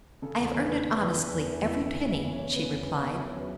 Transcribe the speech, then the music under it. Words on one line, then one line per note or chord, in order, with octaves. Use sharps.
"I have earned it honestly, every penny," she replied.
C#3 A4
E2
A4
E3
E2 B3 B4
E2
E3
E2 B3 B4
E2
E3
E2 E4 E5
E2
E4 E5
C#3
E2 E4 E5
E2
C#4 C#5
E2
C#3 B3 B4
E2
E2
E2
C#3 E5
C#5
F#3 B4